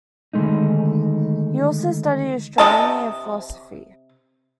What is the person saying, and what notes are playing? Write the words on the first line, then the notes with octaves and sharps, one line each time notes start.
He also studied astronomy and philosophy.
D3 D#3 G#3 A3 D#4
C3 D4 D#5 A5